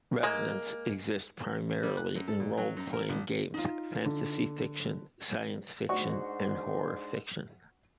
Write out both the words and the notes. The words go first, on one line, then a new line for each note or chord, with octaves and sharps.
Revenants exist primarily in role-playing games, fantasy fiction, science fiction, and horror fiction.
G#3 A#3
G3
F#6
F#2
A4
A#2
F#3
F#2
A#4
A#1
D#4 F4
D3
G#2 D4 F#4 C5 C#6